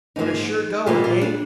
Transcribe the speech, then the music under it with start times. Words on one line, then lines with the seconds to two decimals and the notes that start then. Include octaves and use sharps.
"But a sure goer, eh?"
0.16 G#2 F3 A#3 D#4
0.86 A#2 G3 A#3 F4
1.04 F4
1.21 D4